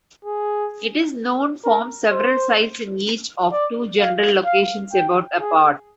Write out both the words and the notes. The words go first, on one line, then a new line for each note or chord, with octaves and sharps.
It is known from several sites in each of two general locations about apart.
G#4
A#4
C5
D5
F5
F5
G5
G#4